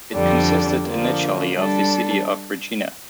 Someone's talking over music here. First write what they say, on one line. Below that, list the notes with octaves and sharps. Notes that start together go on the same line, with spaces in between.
It consisted initially of the city of Regina.
F2 D3 G3 D4
D3 F3 A#3 D4
G3 D4 A4